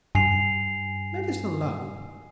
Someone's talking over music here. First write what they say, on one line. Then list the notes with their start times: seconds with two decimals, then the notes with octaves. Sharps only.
Let us alone.'
0.15 G2 G#5 C7 F7